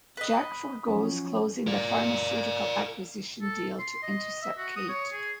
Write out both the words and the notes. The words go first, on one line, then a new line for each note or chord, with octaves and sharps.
Jack forgoes closing the pharmaceutical acquisition deal to intercept Kate.
B4 D#5
F3 F#3 C#4
A#4 D5
A4
C6
D#5
E5
F#4
D#6
C#5
G#4